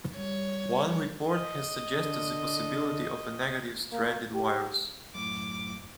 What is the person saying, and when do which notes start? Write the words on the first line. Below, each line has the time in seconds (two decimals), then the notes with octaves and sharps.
One report has suggested the possibility of a negative stranded virus.
0.16 G3 C#5
1.29 D#5
1.98 D3
3.92 A#3
4.34 G4
5.15 F#2 A2 D6